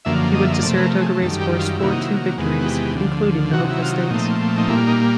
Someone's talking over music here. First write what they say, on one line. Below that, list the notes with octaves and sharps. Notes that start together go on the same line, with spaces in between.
He went to Saratoga Race Course for two victories including the Hopeful Stakes.
F#2 D3 F3 A#3 E5
D#5
E5
D#5
C3 F3 A3 D5
B4
A#4
G#4
F#2 D#3 G3 A4
G4
F4
C3 D#3 F#3 A#3 E4
D#4
E4
E2 C3 D#3 G#3 B3
F#4
G4
D2 D3 F3
C3 D#3 F#3 F#4
E4
F4
A#2 F3 A3 C4 D#4
D#4
A#2 G3 A#3 E4
D#4